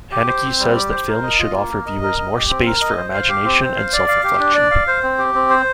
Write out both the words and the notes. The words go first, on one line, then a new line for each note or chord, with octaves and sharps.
Haneke says that films should offer viewers more space for imagination and self-reflection.
G4
C5
C4
G3
G4
C5
A#4
D#5
F4
A#3
A#4
D#5
A#4
D#5
G4
C4
A#4
D#5
C5
F5
G4
C4
C5
F5
D5
F5
G4
D4
D5
F5
C5
C4
G4
C4
C5